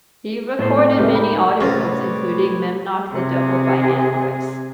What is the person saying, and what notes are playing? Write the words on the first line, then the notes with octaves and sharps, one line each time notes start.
He recorded many audiobooks, including "Memnoch the Devil" by Anne Rice.
A2 B3 A4 C5
C4 C#4
C#2 A3 G4
D#4 B5
C2 A2 C3 C#4 F4 B4 C#5 D6
C3 G#4